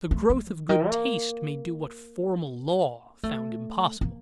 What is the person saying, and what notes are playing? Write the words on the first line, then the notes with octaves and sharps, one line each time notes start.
The growth of good taste may do what formal law found impossible.
A3
A3
D3
D#3
A#3
A3
A#3